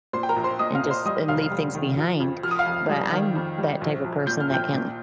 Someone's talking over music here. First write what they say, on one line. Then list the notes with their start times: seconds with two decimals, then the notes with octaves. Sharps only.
and just, and leave things behind. But I'm that type of person that can't
0.13 A#2 C5 C6
0.23 G5
0.29 A#4 A#5
0.36 A#1
0.44 C5 C6
0.59 A#2 D#5 D#6
0.75 F5 F6
0.83 A#2
0.90 C5 C6
1.06 G3 D#5 D#6
1.28 F1 F5 F6
1.51 G3
1.75 D#3
1.97 F3
2.20 F2
2.43 F3 F6
2.51 D#6
2.59 F5 F6
2.66 F2
2.89 G3
3.12 D#3
3.35 F2
3.58 G3
3.81 A#1
4.04 A#1
4.27 A#2 G6
4.40 F6
4.50 A#1 G5 G6
4.73 A#2